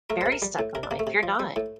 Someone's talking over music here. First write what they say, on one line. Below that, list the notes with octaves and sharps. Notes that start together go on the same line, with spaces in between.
very stuck in life. You're not.
A3 A#4
C3 C5
A#4
G3
A2
C3 A#4
D4
C3 A#3
A3
C3
F3
G3
A2